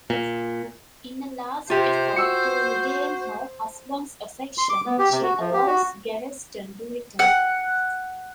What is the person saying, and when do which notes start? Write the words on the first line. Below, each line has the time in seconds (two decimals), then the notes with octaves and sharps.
In a last effort to regain her husband's affection, she allows Gaveston to return.
0.10 A#2
1.70 C3 F4 G4 C5
2.16 F#4 E6 C#7
4.58 C6
4.69 D6
4.86 B3
4.99 G4
5.12 C3
5.23 F#4
5.40 F3
5.53 G4
5.67 F#4
7.19 F#5